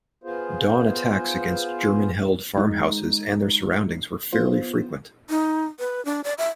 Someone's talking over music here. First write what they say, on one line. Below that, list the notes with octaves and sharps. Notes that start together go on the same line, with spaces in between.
Dawn attacks against German held farmhouses and their surroundings were fairly frequent.
B3 F4 G#4 C5
G#3 D#4
B3 F4 C5
D#4
B4
D4
D5
E5